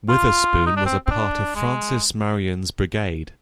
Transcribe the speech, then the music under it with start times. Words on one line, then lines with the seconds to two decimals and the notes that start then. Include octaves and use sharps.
Witherspoon was a part of Francis Marion's brigade.
0.09 F4
0.67 D#4
0.76 D4
0.86 C4
1.07 C4
1.11 D4
1.55 G#3